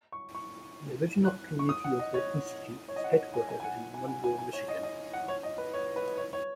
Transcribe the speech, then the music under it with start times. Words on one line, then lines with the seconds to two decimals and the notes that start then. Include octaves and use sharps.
The original community of the institute is headquartered in Monroe, Michigan.
0.12 C#6
0.35 C#6
1.25 F#6
1.59 C#6
1.69 D#6
1.84 F#5
1.99 D#5
2.14 C#5
2.88 C#5
2.96 D#5
3.04 F#5
3.34 G#5
3.49 G#5
3.60 G#5
3.64 F#5
3.94 G#5
4.08 G#5
4.24 G#5
4.39 G#5
4.53 C#5
4.68 D#5
4.83 D#5
5.13 F#5
5.28 C#5
5.43 D#5
5.58 B4
5.74 C#5
5.96 B4
6.18 C#5
6.33 C#5